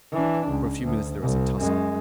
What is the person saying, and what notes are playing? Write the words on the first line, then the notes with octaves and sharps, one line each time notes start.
For a few minutes there was a tussle.
E3 D4
C#2
D2
C2
F#2 G#3